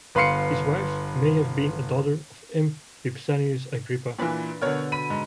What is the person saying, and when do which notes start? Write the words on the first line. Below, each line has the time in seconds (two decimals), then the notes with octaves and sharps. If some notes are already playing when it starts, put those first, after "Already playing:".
His wife may have been a daughter of M. Vipsanius Agrippa.
0.15 G1 B4 F5 C6 C7 C#7
4.19 A#2 E3 D4 B4
4.62 B2 D3 A#4 C#5
4.92 B5 D#7
5.10 G#2